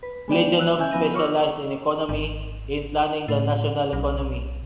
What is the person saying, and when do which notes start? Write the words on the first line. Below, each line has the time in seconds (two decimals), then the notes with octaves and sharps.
Plejánov specialized in economy, in planning the national economy.
0.03 B4
0.28 G#3 B3 D5 G5
0.59 E6 F#6
0.78 D#3 C#4 E4 E5 G#5 G6
0.91 F3 B3 A#6 D#7
1.14 F4 C#5 C#6 D6 E6
2.09 G#1
3.28 A2
3.93 B1